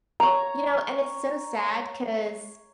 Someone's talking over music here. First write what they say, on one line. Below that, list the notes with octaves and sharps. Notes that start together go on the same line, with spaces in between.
You know, and it's so sad 'cause,
C#5 A#5